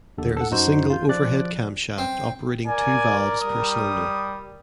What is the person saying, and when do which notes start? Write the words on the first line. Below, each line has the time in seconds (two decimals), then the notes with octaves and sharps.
There is a single overhead camshaft operating two valves per cylinder.
0.18 D#2 D3 A4
0.37 A4 F#5
0.51 F#2 D#4 F#4 C5
0.90 F4 G6
1.09 F3 D5 F#6 A6
1.98 C4
2.67 A#4 D5 G#5
3.42 G3 D#6